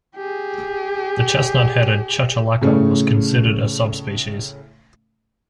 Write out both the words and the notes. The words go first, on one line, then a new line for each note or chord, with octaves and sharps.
The chestnut-headed chachalaca was considered a subspecies.
G4 G#4
A2 C#3 A3 C#4